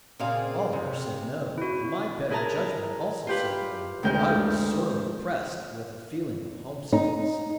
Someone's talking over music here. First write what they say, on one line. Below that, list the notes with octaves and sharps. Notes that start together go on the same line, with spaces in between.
Oliver said no, and my better judgment also said no, though I was sorely pressed with a feeling of homesickness.
A#2 C#3 C4 G#4 F5
C3
E4 F#4
E4 G#4 A#4 A5 A#5
F4 G4 B4
D2 G#3 G5 F6 G6
D#4